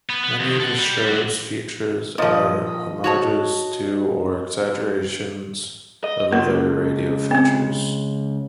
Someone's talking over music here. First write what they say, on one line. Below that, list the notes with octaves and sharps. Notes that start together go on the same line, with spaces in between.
Many of his show's features are homages to or exaggerations of other radio features.
B3
B3
F2 D#3
A4 F#5
G3
D4 F#4
A#2 F3 D#5
F#4 C#5 A5
D#5
C#2 A#3
B3 C4